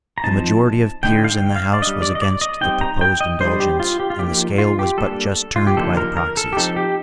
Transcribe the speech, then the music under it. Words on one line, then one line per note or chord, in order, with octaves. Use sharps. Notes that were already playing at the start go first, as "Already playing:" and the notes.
The majority of peers in the House was against the proposed indulgence, and the scale was but just turned by the proxies.
A#5
F3 C4 D#4 A5
D3 A3 D#4 G5
F5
G5
F5
D5
G3 D4 D#5
D5
D#5
D5
D#5
G3 C4 D#4 G5
A#5
G5
D#5
G3 D4 C5
G4
F4
G4
F4
F3 A#3 D#4 G4
F4
G4
G3 A#3 D4 A4
F4
G4
D3 F3 A#3 D#4 A4
A#4
A#4
A4
G4
F3 C4 D#4 A4
G4